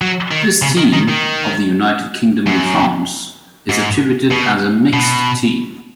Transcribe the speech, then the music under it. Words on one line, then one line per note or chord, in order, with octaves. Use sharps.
This team, of the United Kingdom and France, is attributed as a mixed team.
F#3
D#3
C#3
D#3
D#3
D#3
F#2
G#2
B2
B2